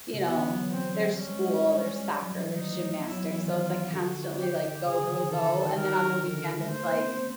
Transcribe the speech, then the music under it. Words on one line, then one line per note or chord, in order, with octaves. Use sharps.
you know, there's school, there's soccer, there's gymnastics, so, it's, like, constantly, like, "Go, go, go," and then on the weekend, it's, like,
C#3
D3 B3
E3
F#3
F#3
F3 C4
F3
G3 C#4
G#3
G#3
G3
G3
F#3
F3
E3
D#3 D#4
A3
B3 E4
F#3
E3
E3
D#3 F4
D3 F#4
G4
C#3 G#4
D3
D#3
E3
D#3 A4
D3
D#3
A#4
D3
D3
D3
G#3
A3 C5
A#3
B3
C4
C#4